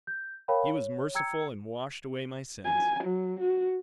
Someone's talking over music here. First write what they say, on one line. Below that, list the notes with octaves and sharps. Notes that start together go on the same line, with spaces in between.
He was merciful and washed away my sins.
G6
A#4 C#5 F5 G5 A5 B5
C#5
G5 A#5 E6 G#6 C#7
G#5
F#3
F#4